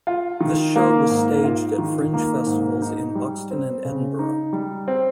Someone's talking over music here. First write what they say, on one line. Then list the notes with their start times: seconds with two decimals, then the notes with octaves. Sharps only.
This show was staged at fringe festivals in Buxton and Edinburgh.
0.07 F4
0.41 D#3
0.76 A#3
1.10 G#2
1.44 F4
1.78 D#3
2.13 A#3
2.47 G#2
2.82 D#4
3.15 G3
3.51 C4
3.85 C#3
4.19 D#4
4.53 G3
4.88 C4